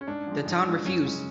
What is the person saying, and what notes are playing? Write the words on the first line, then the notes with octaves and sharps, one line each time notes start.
The town refused.
C#4
G#2 D4
F3 G#3
G#2
F3 G#3
F#2 C#4
C#3 G#3